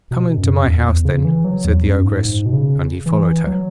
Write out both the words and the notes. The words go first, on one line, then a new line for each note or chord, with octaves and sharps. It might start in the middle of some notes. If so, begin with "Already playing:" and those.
'Come into my house, then,' said the ogress, and he followed her.
B2
F#2
E2
E2
C#3
E3
F#3
E2
F#2
G#2
G#2
B2
C#3
E3
F#3